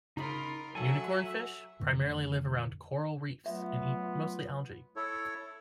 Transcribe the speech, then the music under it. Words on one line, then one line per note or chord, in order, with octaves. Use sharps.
Unicornfish primarily live around coral reefs and eat mostly algae.
C#3 D#4 F4 A#4 B5
F#3 A4 E5 F#5 G#5
F2 A2 D3 E3
F#3 A3 B3 F4 E5
E4 A4 C#5